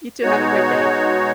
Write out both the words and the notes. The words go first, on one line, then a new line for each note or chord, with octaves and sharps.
You too, have a great day.
B2 G#3 D#4 F#4 C#5